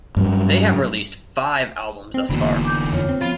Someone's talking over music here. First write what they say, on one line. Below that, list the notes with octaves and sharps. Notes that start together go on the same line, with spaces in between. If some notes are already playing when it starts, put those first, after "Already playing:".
They have released five albums thus far.
G2 F#3
C4
E1 D3 E3 A#3 B3 F#4
D6 G6
F2 F4 C#5
C4
F3 B3 F4